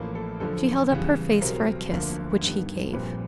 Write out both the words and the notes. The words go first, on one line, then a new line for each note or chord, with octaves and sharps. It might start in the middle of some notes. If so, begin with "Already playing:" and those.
She held up her face for a kiss, which he gave.
Already playing: A1 A2 F3 A#3
A4
F#2 D3 F3 A4
E2 C#3 E3 G3 B3
B1 B2 G3 C4 A#4
D2 D3 F3 A#3
G2 D#3 G3 B3
A#1 A#2 G3 C4 B4